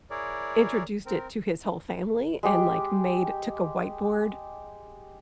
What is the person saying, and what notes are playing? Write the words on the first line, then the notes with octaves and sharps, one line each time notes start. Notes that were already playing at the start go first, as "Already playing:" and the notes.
introduced it to his whole family and, like, made took a whiteboard
E4 G#4 A#4 C#5 D5
C4 A#4
G#3 G4